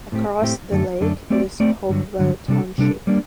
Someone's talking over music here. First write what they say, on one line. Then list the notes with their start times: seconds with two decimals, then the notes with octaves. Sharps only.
Across the lake is Hopewell Township.
0.12 A2 A3 C4 G4
0.42 A2 A3 C4 G4
0.72 F#2 D3 A3 D4 A4
1.01 F#2 D3 A3 D4 A4
1.30 A3 C4 G4 D5
1.60 A3 C4 G4 D5
1.89 G2 D3 F#3
2.18 G2 D3 F#3
2.48 C3 G3 D4 A4
2.78 C3 G3 D4 A4
3.07 G3 A#3 D4